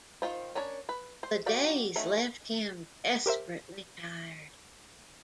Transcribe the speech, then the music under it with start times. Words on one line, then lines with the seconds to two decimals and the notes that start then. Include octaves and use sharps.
The days left him desperately tired.
0.22 D#3 F4 C5
0.55 C#4 D4 A#4 C#5
0.89 B4
1.23 C5
1.46 F#4 G4 D5 F5
1.96 D#3 A3 C#4 F#4
3.26 G4 A#4 C5 E5